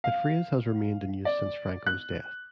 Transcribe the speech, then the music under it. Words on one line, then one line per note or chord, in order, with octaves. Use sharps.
The phrase has remained in use since Franco's death.
F5
D5
F#6